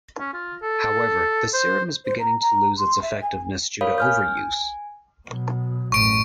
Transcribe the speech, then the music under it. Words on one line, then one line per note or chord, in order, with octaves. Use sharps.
However, the serum is beginning to lose its effectiveness due to overuse.
C#4
F4
A4
C5
C5
A#5
A#5
C6
E5
G#5
A#4 C#5 F5 B5 D#6
G#5 F6 G6
G#5
B2 F#3
A1 F#2 C#6 D7